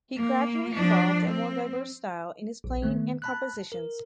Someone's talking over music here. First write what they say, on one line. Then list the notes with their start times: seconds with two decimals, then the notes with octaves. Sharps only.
He gradually evolved a more diverse style in his playing and compositions.
0.17 A#3
0.74 F3 D4
1.25 C4
2.64 A#1
2.82 D#3 A3 B3
3.22 A5 B5 F#6
3.72 A#4